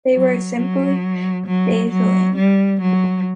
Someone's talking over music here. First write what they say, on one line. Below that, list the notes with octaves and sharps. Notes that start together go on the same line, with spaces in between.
They were simply dazzling.
F#3
F#3
F#3
F#3
G3
F#3